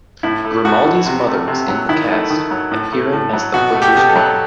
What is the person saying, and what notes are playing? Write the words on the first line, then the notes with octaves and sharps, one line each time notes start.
Grimaldi's mother was in the cast, appearing as the Butcher's Wife.
A2 E4
A3
A2 F#4
E3
C3
A3
C3
F#3
D#3 E4
A3
D#3
F#3
A2
A3
A2
F#3
B2 F#4
A3
G4
B2 G4
A4
F#3